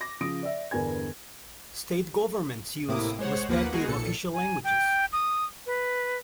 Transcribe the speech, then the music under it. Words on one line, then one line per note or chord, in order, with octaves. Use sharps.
State governments use respective official languages.
D6 A#6
C#3 F3 D#6 D7
D5 E5
E2 G2 D3 A#4 G#5 G#6
A2 C3 A#3 E4 D6 D#6
G#3 C5 C#5 F#5
D#2 F3 A#3 B4 F#5
B2 G#3 D#4 F#4 G#4
B1 A#2 A4 C#7
G#5
G5
D#6
B4